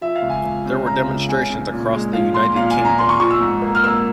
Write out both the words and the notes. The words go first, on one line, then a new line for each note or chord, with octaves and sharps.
There were demonstrations across the United Kingdom.
F3 E5
F5
C#2
G#5
C#2
C#3
C#3 A#5
C#2
C#3 G#5
C#3
A#2
G#3
F3 F5
A#2 C6
A#2 F5
G#5
A#2
A#5
A#2 C6
C#6
F3 C#6
E6
G#2
A#3
F6
A#3 E6